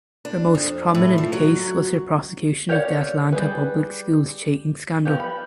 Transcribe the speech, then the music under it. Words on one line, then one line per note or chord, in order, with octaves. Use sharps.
Her most prominent case was her prosecution of the Atlanta Public Schools cheating scandal.
D4
F2
A2
F3
F#3
G4 A#4 C#5 D5 F#5
G3 G#3 B4
F3 B3 G4
B5